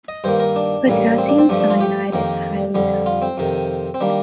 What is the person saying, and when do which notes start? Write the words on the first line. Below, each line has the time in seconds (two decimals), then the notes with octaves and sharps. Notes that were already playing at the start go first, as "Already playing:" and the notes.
Potassium cyanide is highly toxic.
0.08 D#5
0.24 G2 D#3 A#3 C5
0.40 A#4
0.56 D4
0.86 A1 A2 G3 A#3
1.18 C4
1.29 D4
1.39 C4
1.49 G2 F3 A3 D4
1.60 D4
1.70 F4
1.81 G4
2.13 F2 D#3 A#3
2.75 F2 D3 G3
3.06 F4
3.22 C4
3.38 F2 C3 D#3
3.94 C4
4.01 D#3 G3 A#3 D4